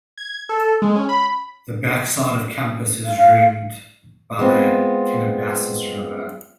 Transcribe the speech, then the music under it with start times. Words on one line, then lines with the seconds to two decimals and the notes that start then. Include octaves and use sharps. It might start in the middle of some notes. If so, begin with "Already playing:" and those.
The back side of campus is ringed by the Kennebecasis River.
0.18 G#6
0.49 A4
0.82 G#3
0.96 C#4
1.09 B5
3.05 F5
4.39 G#3 B3 C4 F4